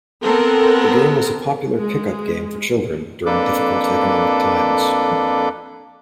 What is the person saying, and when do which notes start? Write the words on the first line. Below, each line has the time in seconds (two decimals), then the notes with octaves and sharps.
The game was a popular pick-up game for children during difficult economic times.
0.22 B3 C4 A4 A#4
1.74 G#3
3.26 F2 A#3 D4 A4 B4 D6